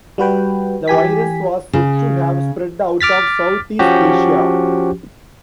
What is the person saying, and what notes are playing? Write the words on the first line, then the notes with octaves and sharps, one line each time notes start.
The virus was said to have spread out of Southeast Asia.
G3 F#4 B4 G5
E3 G4 G#5 B6
C#3
D6 F6 A6 B6
F3 C#4 F#4 G4